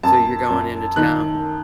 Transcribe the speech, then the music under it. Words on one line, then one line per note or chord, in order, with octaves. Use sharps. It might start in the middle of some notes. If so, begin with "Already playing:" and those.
So you're going into town
F#2 A5
F#2
D#3 F#6